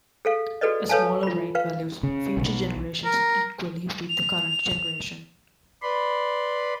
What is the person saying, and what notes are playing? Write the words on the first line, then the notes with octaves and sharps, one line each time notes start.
A smaller rate values future generations equally with the current generation.
G#4 A4 F5
F#4 G#4 A4 B4 D5 D#5
A4 B4 C#5 F5 G#5 A5
F4 B5
B4 F5
C#3
B1
A#4
F7
B4 D5 B5 C6